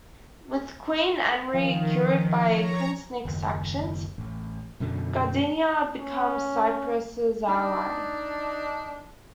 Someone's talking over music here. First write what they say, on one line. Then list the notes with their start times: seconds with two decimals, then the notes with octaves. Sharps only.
With Queen Anri cured by Prince Nick's actions, Guardiana becomes Cypress's ally.
1.53 D#3 F3
2.50 C#5 A#5
3.25 F#1 D#2
4.18 A1
4.80 F#2 B2 D3
5.99 C#4
7.47 D4 D#4